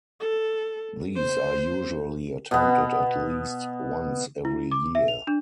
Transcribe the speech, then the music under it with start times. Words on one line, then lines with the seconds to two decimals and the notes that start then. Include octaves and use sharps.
These are usually attempted at least once every year.
0.20 A4
1.16 C5
2.51 B2 B3
4.45 E4
4.71 D6
4.95 E5
5.08 F7
5.27 D4